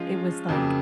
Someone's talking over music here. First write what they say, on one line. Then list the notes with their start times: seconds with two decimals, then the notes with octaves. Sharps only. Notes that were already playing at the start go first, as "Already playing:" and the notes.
it was, like
Already playing: F3 G#3 C#4 F4
0.49 F2 C#3 F#3 A#3